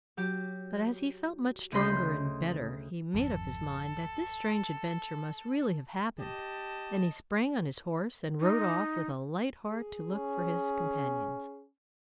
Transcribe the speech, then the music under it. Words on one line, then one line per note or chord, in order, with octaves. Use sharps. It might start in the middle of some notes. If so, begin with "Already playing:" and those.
But as he felt much stronger and better he made up his mind that this strange adventure must really have happened, and he sprang on his horse and rode off with a light heart to look for his companions.
F#3 G4
D2 C#3 D#5 B5 C6 G6
G#1 F2 A4
G4 D#5 A5
D#4
G#4
C#4